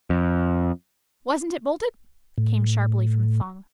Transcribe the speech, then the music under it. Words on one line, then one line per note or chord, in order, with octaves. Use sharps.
"Wasn't it bolted?" came sharply from Thong.
F2
A2